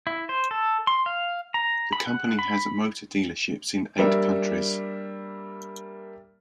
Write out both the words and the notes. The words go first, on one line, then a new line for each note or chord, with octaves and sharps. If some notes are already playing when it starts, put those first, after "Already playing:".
The company has motor dealerships in eight countries.
E4
C5
A4
C6
F5
A#5
B5
F#5
B5
G3 A#3 D4 A#4 E5